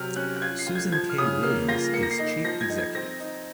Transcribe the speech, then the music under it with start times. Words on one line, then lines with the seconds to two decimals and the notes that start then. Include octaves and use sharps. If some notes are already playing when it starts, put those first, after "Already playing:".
Susan Kay-Williams is Chief Executive.
Already playing: C3 F#3 F6
0.16 C#4 F#6
0.36 F#6
0.42 F4 G#6
0.59 C7
0.67 F4
0.75 G#6
0.92 F3 G#6
1.09 F6
1.18 C#3 D#6
1.27 F6
1.43 A#3 F6
1.68 F4 A#6
1.93 A#3 C#7
2.03 A#6
2.11 C7
2.19 D#4
2.27 C7
2.44 F3 A#6
2.61 G#6
2.70 D#4
2.78 G#6
2.95 C4 A#6
3.20 D#4